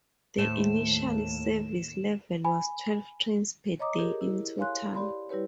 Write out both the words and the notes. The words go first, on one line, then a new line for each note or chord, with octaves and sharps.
The initial service level was twelve trains per day in total.
D#2 A2 A3 C5 E7
G#5 B5
C#5 D#5 A#5 D6 D#6
G4 G#4 A#4
E4
C#5 F5 G#5 C6 F#6
G4 D5 B5 C6
G3 E4 G4 B4 C#5